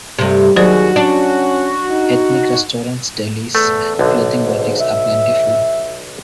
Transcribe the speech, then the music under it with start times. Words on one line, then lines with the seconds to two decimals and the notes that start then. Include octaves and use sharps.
Ethnic restaurants, delis, and clothing boutiques are plentiful.
0.19 G2 C3 A3
0.56 D#2 F#3 F#4 G#4 C5 D5
0.96 C#4 D4
1.90 D#4
3.55 E2 A3 A4
3.99 B1 D3
4.46 G#2
4.79 E5